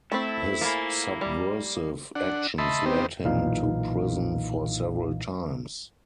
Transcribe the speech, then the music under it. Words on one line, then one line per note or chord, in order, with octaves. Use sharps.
His "subversive" actions lead him to prison for several times.
A3 C4 E4 A4 B5
A#3 F4 G#5 B5
G3
D4 F#5
D#5 E5 A5 B5 C6
B3 C4 D#4 G4 C5
B1 A#2 E3 D#4 F5